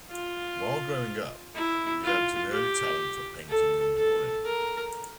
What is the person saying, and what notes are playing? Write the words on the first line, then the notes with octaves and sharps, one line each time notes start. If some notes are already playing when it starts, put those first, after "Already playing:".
While growing up, he developed an early talent for painting and drawing.
F4
E4
F4
G4
A4
A4
A#4